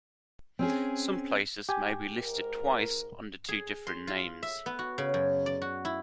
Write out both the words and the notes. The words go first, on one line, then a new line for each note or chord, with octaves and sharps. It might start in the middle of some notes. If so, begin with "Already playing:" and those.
Some places may be listed twice, under two different names.
C4 C#4 G#4
G4 G#5
G#2 A#4
G#4
C6
F4
E5
B3
F#4
C#3
F#2
D5
F#4
E4